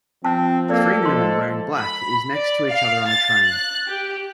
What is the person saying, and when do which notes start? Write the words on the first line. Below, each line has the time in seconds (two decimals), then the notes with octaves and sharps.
Three women wearing black is next to each other on a train.
0.24 F3 C4 A5
0.70 A#3 A4 A#4 D5
1.03 F3 G#3 F4 C6
1.77 B5
2.33 D5
2.69 F5
3.08 A6
3.47 F#6
3.88 G4